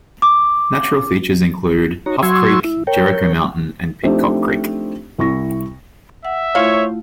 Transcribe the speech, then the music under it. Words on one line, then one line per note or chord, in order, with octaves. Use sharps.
Natural features include Hough Creek, Jericho Mountain, and Pidcock Creek.
D6
D#4 F#4 C#5 A#5
F#3 F#4 C6 C#6 E6 G#6
E4
A#4 C#5 G5
F3 A3 C4 D4 D#4 G4
C2 E4 C#6 A#6
E5 F#5
A3 E4 F4 C5 C#5 F5